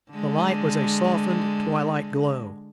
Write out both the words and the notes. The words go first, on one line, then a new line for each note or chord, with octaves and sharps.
The light was a softened twilight glow.
D3 G#3